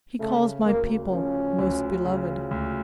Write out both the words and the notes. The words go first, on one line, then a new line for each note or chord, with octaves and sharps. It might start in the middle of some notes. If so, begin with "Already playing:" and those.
"He calls my people 'most beloved'."
C#3 A3
D2 A#3
F3 C#4
D2
C#3
D2